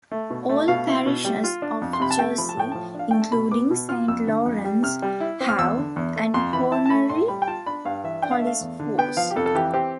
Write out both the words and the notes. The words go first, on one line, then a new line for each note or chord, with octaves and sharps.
All parishes of Jersey, including Saint Lawrence, have an Honorary Police force.
A3
B2
A3
B2 F5
E4
B2
G3
F4
D4
F2
C6
C3 B5
A5
A3 G5
F3 B5
A5
A2 G5
F3 A5
D4 F5
A3 G5
A5
B2 B5
B3 D6
B2
F4 F6
F2 E6
D3
F2
G3
C3 F6
G3
E4
C4
F6
E2 E6
D3
E2
A3
F2 C6
E3 B5
E4 A5
A5
A3 B5
A2 C6
G3 B5
G5
F4 A5
D4 B5
G2 F5
E3 E5
D4 G5
F5
A3 E5
F5
E2
D3
B3 G5
F3 F5
G4
F2 A4
A4
E3 G4
C4 G4